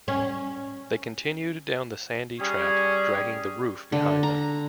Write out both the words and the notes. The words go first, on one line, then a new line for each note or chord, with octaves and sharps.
They continued down the sandy track dragging the roof behind them.
C#4
G3 C#4 G#4
D3
A#5